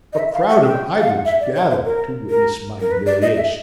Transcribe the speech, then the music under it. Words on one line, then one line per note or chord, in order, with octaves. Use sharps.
A crowd of idlers gathered to witness my humiliation.
D#5
E5
F5
F#5
G5
F5
F#5
E5
D5
C#5
C5
A#4
A#4
A#4
B4
D5
D#5
E5